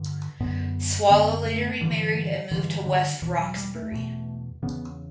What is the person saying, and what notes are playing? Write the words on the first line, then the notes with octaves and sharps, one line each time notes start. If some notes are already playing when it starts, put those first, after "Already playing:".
Swallow later remarried and moved to West Roxbury.
Already playing: G2 D3
F#2 D3 B3
F#2 D3 B3
A3
G2 D3 E3
G2 D3 E3
D3
E2 B2 E3
F#3
G3
A3
E2 B2
E2 C#3 B3